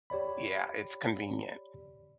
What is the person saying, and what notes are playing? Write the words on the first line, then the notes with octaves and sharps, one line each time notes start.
yeah, it's convenient.
G4 C#5 D5 B5